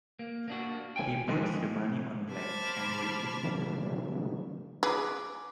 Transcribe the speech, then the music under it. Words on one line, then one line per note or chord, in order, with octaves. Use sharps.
He puts the money on black, and wins.
A#3
A#3 D4 F#4
G5 G#5
F3 G#3 C4 D4 D#4
C5 A5 B5 D6 F6 G#6
G#4 B4 D6